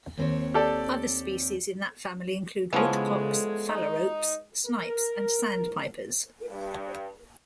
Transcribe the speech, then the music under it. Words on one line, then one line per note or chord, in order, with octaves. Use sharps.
Other species in that family include woodcocks, phalaropes, snipes, and sandpipers.
D#2 C4 C#5
G4 A4 D5
C#3 E3 F3 G#3 B3 A4 C#5
D#4
A#4
G2